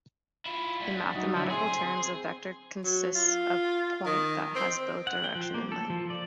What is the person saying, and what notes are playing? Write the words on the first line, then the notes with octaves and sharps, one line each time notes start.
In mathematical terms, a vector consists of point that has both direction and length.
E4 F4
D2 G3
F#3 D#4
A2 D3 F#3 E4
C4 G#4 C6
F#3
F4
D#3
C4
F#5
G5
F3
A#3
A4
F3
D5